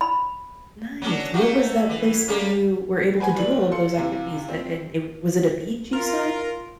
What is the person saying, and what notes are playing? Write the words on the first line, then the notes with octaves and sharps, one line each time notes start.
Nice. What was the place where you were able to do all of those activities? And and it was it a beach, you said?
B5
F#3 C#4 D4
A3 A#3 F#4
E3
G3 A#3 C#4
B4 C5 F#5 G#5
F#1 D4 B4 F#7
A4 F5 C6 C#7
C3 E3
F5
C4 F4
F4 A#4